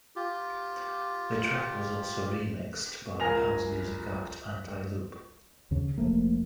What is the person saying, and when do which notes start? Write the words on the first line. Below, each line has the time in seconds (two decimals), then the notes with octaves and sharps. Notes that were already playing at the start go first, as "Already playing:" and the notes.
The track was also remixed by house music act Antiloop.
0.16 F4 G4
3.20 C#2 A#4 G#5 A#6 F7
5.71 D#2 C#3
5.98 F1 F3 A3 A#3